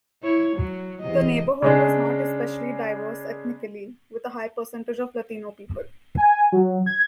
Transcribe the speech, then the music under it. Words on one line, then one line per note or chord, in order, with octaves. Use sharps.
The neighborhood was "not especially diverse" ethnically, with a high percentage of Latino people.
E4 C#5
F#3
E2 C3 D#5
C#3 G#3 D4
G#5
F#3
G#6